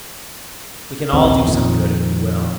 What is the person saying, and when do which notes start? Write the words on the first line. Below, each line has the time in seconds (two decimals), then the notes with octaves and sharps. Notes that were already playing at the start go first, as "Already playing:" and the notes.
We can all do some good, if we will.'
1.13 A#1 D#2 C4
1.46 F2 A#2 D#3